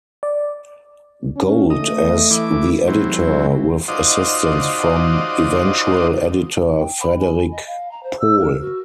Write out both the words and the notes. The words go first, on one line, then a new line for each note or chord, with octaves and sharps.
Gold as the editor, with assistance from eventual editor Frederik Pohl.
D5
C#4
A3 D#5
E3 D6
E3 F#3 C4
G#3
D#4 F4 F#4 C5 D5 D#5
G5
B5
G#5
D#5
F5
A#5
C5
E6
A#4
F#4